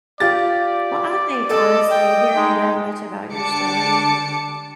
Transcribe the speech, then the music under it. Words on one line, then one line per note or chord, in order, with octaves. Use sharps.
Well, I think, honestly, hearing that much about your story,
F4 G4 D5 A6
A4 D#5
G5
G#3 D#4
D3 G3 D4 A5 D6 C#7